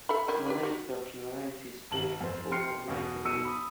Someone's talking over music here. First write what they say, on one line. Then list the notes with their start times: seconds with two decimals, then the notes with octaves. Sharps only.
The mic person announces "specials" over the microphone.
0.09 A4 E5 B5
0.28 D#3 G3 E4
0.46 G4 B4 D5
0.63 F#4 G4
1.91 G#1 A5 F#7
2.21 F2 C5
2.51 G5 C6 F6 C7 C#7
2.88 E2 B2 B3
3.25 B2 E6 C#7 D#7
3.45 B5 D#6